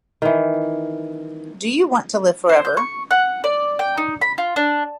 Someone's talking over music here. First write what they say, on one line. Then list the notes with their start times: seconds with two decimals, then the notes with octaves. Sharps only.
Do you want to live forever?
0.22 D#3 E3
2.49 C5
2.65 G6
2.77 C#6
3.11 F#5
3.44 D5
3.79 G5
3.97 D#4
4.21 B5
4.38 F4
4.56 D4